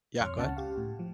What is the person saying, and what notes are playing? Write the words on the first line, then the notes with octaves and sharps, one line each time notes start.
Yeah, go ahead.
F2 C#5 C6 C#6 F6
C#2 C#4 F#5 A5
G4 F5
A2
F3